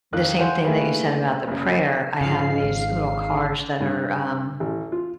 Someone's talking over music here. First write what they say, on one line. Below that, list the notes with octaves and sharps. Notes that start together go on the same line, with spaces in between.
the same thing that you said about the prayer, I have these little cards that are, um,
F2 D#3 F4 A#4 F#6
C5 C#5 F5 F#5 G#5
A3 A#3 E4 G#4 B4
F#1 C#3
G#2 C#3 F3 F5 C7
G#1
G2
A1
F4